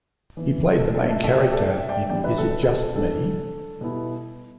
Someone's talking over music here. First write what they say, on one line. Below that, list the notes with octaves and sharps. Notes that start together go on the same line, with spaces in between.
He played the main character in Is It Just Me?
E3 B3 E4
A4
A4
E5 A5
D3 A3 D4 E5 A5
D5 G5
A4 D5
G5
E5
D5 G5
E3 G3 B3 D4 D5 G5
B4 E5
A4
B4
A4
E3 A3 D4 A4
B2 G3 B3 E4